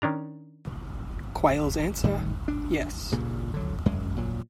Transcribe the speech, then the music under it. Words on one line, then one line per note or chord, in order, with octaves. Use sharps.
Quayle's answer: yes.
D#3 C#4 D4 A#5
A2 D#3 G3 A3
D4
G2 A#2 C#3
D3 F#3
F#2 G#3
A#2 F#3